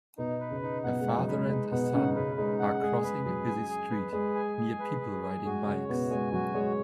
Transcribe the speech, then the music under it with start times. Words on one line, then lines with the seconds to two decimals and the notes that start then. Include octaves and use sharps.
A father and a son are crossing a busy street, near people riding bikes.
0.18 B2 B3 D#4
0.40 B4
0.51 C#3 C#4
0.62 D#4
0.84 B2 B3 F#5
1.01 G#3
1.06 D#4
1.17 F#3
1.27 B4
1.34 G#3
1.50 G#3 D#4
1.71 B2 B3 F#5
1.93 C#3 C#4 D#4
2.16 C#3 C#4 B4
2.38 G#3 D#4
2.59 F#5
2.82 G#3 G#4
3.03 G#3 B4
3.25 F#3 G#4
3.47 G#5
3.69 G#4
3.91 B4
4.13 G#3 G#4
4.35 G#5
4.57 G#4
4.79 B4
5.00 G#4
5.23 G#5
5.45 G#3 F#4
5.67 C#3 C#4 C#5
5.88 B2 B3 F#4
6.11 G#3 G#5
6.32 F#3 F#4
6.54 G#3 C#5